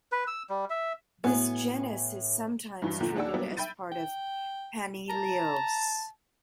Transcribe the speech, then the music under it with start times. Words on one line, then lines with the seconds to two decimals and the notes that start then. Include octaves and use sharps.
This genus is sometimes treated as part of "Panaeolus".
0.12 B4
0.27 E6
0.50 G3
0.70 E5
1.24 A2 B3 F#4 G#5
2.82 G2 E3 F#3
3.00 E2 A#2 D3 F3
3.15 D#2 D4 G#4 D5 F#5 E6
3.34 F#3 G3 A#3 B3 D4
3.57 E5 G5 B5 G6 A6 D#7
3.92 G5
5.10 A5 A#5